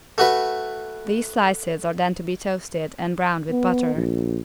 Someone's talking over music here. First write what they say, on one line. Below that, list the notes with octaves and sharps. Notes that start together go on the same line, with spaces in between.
These slices are then to be toasted and browned with butter.
A3 F#4 B4
B3
A#1